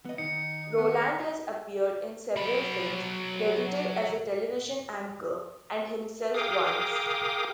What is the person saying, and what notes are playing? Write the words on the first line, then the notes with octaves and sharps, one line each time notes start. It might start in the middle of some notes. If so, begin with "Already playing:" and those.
Roland has appeared in several films, credited as a television anchor and himself once.
B3 D#5
D#3 D#4 C#7
B3
F#3 B5
G#4 A#4 F5 G5 D6 D#6